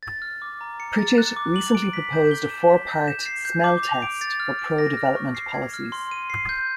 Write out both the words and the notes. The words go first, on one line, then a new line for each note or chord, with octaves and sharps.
Pritchett recently proposed a four-part "smell test" for pro-development policies.
A6
F6
D6
A#5
C#7
A6
F#6
D6
F#7
D7
B6
G6
G7
E7
B6
G6
E7
C7
G6
D6
F7
D7
A6
F6
D7
A#6
F6
C#6
C7
G#6
F6
C6
D#7
C7
G6